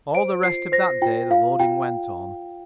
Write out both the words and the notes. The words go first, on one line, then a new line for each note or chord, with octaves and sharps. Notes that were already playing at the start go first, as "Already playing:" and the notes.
All the rest of that day the loading went on.
C5 D7
F4 C7
C5 A#6
F4 G5
F4 F5
F4 G5